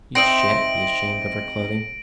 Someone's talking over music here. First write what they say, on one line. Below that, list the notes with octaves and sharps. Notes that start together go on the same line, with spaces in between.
You shan't be ashamed of her clothing.
C4 D#4 E5 A#6 D7 F#7